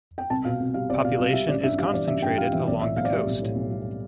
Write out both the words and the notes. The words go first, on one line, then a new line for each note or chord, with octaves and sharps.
Population is concentrated along the coast.
G5
C2 A5
B2 F5
C2
G3 F5
C2 D5
B2 F5
C2 F5
G3 E5
A1 D5
G2 E5
G3 F5
E3 D5
A1 E5
G2 G5
G3 F5
E3 E5
B1 D5
A2 E5
B1 F5
D5
G3 E5
B1
A2
B1
G3